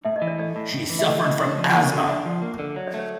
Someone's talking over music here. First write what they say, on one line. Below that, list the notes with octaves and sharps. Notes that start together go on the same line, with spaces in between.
She suffered from asthma.
A2 E5
D#5
E3
D5
A3 D5
A2
A2
E3
E5
A3 D#5
A2 D#5
D4
F3
A#3
D3
D4 E5
F3
A#3
D3
F#3
D5
A3 C#5